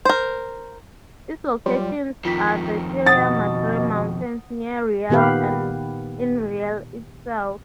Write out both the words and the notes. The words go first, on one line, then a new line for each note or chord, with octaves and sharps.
Its locations are the Sierra Madre mountains near Real and in Real itself.
A#4 C5
F#3 G3 F4
F2 D#3 F4 B6
B2 F#5 D#6 A6
A#2 D#3 B3 G4 B4 F5